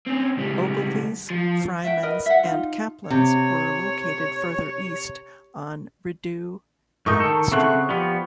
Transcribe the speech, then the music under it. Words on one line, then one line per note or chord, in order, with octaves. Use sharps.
Ogilvy's, Freimans and Caplan's were located further east, on Rideau Street.
C4 C#4
C#2 G3
F3
E5 F#5 G5
A#4 B4 D#5
E5 F#5
D#4 F4
C3 C#5
G#2 A3 D#4 A#4 C#6 D#6 G6
D#3 A4
C#3 A3 C4 F#5 C#6
F3 G3 B3